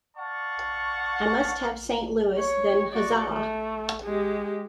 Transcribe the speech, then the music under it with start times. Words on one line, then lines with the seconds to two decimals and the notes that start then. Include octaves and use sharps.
I must have Saint Louis-then Huzza!
0.17 D5 F5 F#5 A5 C#6
2.38 C#5
2.93 F#4 D5
3.29 A3
4.04 G#3 G4